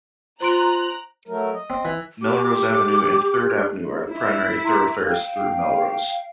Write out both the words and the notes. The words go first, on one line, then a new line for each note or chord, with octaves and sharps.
Melrose Avenue and Third Avenue are the primary thoroughfares through Melrose.
F4 C5 A#5 C6 F#6 D7
F#3 A3 A#4
D#5
C4
E3
G4 D6
E4
A#5 C6
F5 G5